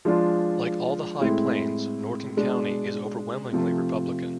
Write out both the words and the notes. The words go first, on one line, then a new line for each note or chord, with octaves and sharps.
Like all the High Plains, Norton County is overwhelmingly Republican.
F3 G#3 D4 F4
A2 G#3 C4 E4
B2 G#3 D4
C3 F3 A3